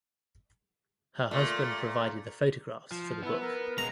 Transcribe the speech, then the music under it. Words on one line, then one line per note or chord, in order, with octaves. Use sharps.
Her husband provided the photographs for the book.
A#2 A3
F3
B3 E4
A#4
G#3 B3 A#5